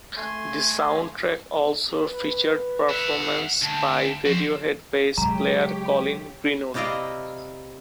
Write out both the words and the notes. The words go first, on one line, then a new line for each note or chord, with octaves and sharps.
The soundtrack also featured performances by Radiohead bass player Colin Greenwood.
A3 G#5 C6
B4
E5 F#5
D2 A5
F3 F#4 C5
C#3 F#3 G#3 G4 C#5 A#5
C3 E4 D5 D#5 F5 A#5